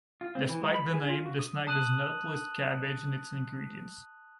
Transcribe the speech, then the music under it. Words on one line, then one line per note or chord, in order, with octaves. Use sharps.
Despite the name, the snack does not list cabbage in its ingredients.
F4
C4
E3
G#3
B5
G#4
F4
F#4
D#6
A5 D#6 F#6 D#7 F#7